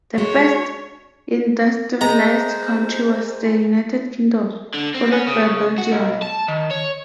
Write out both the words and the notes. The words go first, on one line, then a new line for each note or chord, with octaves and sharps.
The first industrialized country was the United Kingdom, followed by Belgium.
G#3 F#4 C#5
G#3 C5 A#5
D3
C4
C#4
C#3
F#4
B1
A5
D#3
C#5